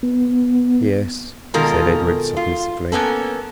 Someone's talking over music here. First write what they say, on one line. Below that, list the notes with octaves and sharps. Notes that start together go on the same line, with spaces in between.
"Yes," said Edred submissively.
B3
B2 D#3 G#3 F4 A4 A#4
F4
A#3 B3 C#4 A4